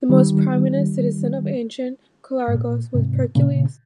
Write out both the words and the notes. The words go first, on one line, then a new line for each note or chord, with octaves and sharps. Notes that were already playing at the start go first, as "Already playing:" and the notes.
The most prominent citizen of ancient Cholargos was Pericles.
D#3 G3
G#2
A#2
G#2 C3
A#2 C#3